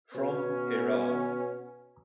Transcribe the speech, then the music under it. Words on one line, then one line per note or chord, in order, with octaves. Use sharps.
From Iran.
B2 B3 C#4